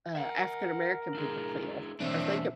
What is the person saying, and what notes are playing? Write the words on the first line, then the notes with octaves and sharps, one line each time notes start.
uh, African American people feel or think
A#4 E5 F#5
D4 E4 G#4
B2 E3 A3 C4 D4 E5